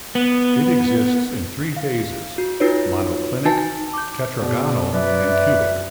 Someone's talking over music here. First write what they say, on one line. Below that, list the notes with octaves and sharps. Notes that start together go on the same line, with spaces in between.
It exists in three phases: monoclinic, tetragonal and cubic.
B3
F5
F#4
D#4 F4 F#4 B4 C#5
D#4 F#4 G#5 A5
D6 G6
B2 G#4 D5
F#2 B4 D5 E5